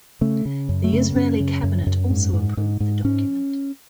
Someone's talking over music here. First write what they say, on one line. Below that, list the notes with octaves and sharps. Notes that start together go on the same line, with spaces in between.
The Israeli Cabinet also approved the document.
C#3 A3
C#3
F#2
A3
C#3
F#2 C#4
C#3
F#2
F#2
G#2
G#2
G#2
G#2
G#2 C#4